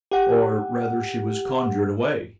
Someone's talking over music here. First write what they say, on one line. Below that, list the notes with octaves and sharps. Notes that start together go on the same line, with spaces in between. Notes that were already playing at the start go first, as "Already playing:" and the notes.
Or rather she was conjured away.
G4 F#5